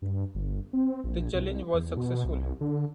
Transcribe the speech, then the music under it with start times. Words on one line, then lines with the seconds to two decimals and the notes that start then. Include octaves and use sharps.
The challenge was successful.
0.02 G2
0.35 G1
0.73 C4
1.04 A#1
1.34 C2
1.74 E2
1.97 B2
2.25 C2
2.61 D3